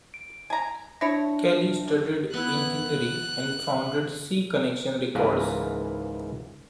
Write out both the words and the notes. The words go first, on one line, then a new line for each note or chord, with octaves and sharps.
Kelly studied engineering, and founded C Connection Records.
D7
G#5 A#5
D4 E4 C#5 A#6
B3 E4 F#6
C#2 G#2 E3 A#3 A#4 B4